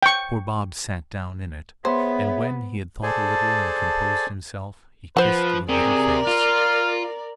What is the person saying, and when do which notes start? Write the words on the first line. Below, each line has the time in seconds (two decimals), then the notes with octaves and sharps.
Poor Bob sat down in it, and when he had thought a little and composed himself, he kissed the little face.
0.03 G5 C#6
1.85 B3 G#4 C5 C#5 E5
3.03 G#4 A4 C5 D5 G#5 A5
5.17 F3 B4 C5 F#5
5.69 C3 G#4 A#4 D5
6.27 F4 F6